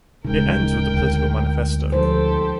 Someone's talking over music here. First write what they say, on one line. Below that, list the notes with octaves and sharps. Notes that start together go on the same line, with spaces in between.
It ends with a political manifesto.
D1 C#3 G#3 D#4 A#4 G5
D2
F3 D#4 G4 A4 C5